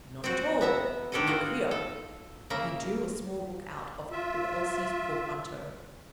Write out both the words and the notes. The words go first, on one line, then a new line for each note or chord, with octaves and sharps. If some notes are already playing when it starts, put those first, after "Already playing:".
'Not at all; look here.' And he drew a small book out of Elsie's portmanteau.
C4 F#4
B3 E5 A#5
D#3 D4 G4 A4 C#5 D#5
D#4 F4 F#4
A4
C#3 A#3 E5 A#5
F4 E5